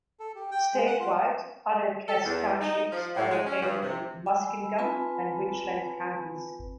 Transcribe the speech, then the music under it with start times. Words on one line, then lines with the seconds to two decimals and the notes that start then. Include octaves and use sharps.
Statewide, other Cass Townships are located in Muskingum and Richland counties.
0.20 A4
0.35 G4
0.51 G5
0.74 G#3
0.87 F#5
1.00 F4
2.07 A4
2.25 E2
2.61 D#4
2.91 F3
3.16 A2
3.30 G#3
3.46 C#4
3.62 G2
3.82 C3
4.26 G#5 B5 E6
4.78 C4 F4 B4 G#5 A5 B5